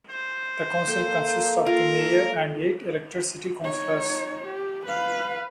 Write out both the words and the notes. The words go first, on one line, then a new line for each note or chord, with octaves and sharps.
The council consists of the mayor and eight elected city councillors.
C5
A#3 A4 G5
F4 A#4
D#4 C#5
G4
B4 F5